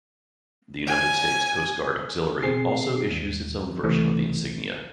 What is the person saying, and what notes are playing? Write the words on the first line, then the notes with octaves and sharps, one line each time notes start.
The United States Coast Guard Auxiliary also issues its own version of the insignia.
G#5
B2 C4 G#4 C7
D#2
C#2 C3 E3 A3 C4